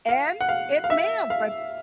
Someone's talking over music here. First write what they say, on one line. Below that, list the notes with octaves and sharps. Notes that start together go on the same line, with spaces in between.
And it may have, but
F5
F#5
F5
F5
E5
F5